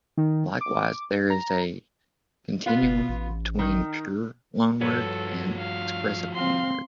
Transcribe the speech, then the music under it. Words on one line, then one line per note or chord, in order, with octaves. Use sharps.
Likewise, there is a continuum between "pure" loanwords and "expressive" loanwords.
D#3
D6
A#5
A#5
B3 F4
F#1
A1
D#3
G2 F3 F#4 A4 B4 C#5
F5
C4 F5 C6